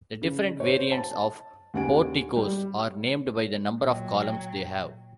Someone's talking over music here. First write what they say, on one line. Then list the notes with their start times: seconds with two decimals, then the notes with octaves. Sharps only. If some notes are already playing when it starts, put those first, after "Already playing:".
The different variants of porticos are named by the number of columns they have.
0.22 C#3
0.60 C5 C#5
0.92 A5
1.74 D#2 C#3 F#5 G#5 D7
2.36 G3
3.84 A#2 F#3 G5